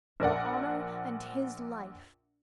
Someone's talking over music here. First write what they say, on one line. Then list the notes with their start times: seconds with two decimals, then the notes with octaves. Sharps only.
Your honor and his life!
0.20 A#1 A#4 D5 F#5